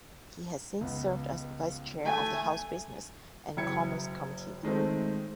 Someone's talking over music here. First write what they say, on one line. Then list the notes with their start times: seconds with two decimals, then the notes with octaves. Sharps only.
He has since served as vice chair of the House Business and Commerce Committee.
0.81 C#2 B3
2.05 A3 G#5
3.57 F#1 E4 G5 G#6 C#7
4.63 D#3 G#3 A3 C4